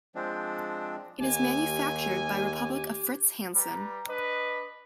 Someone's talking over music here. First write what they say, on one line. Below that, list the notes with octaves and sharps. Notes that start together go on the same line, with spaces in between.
It is manufactured by Republic of Fritz Hansen.
F3 G#3 C4 D4
D#2 G4 G#5
G3 B4 A#5
D4 B4 D#5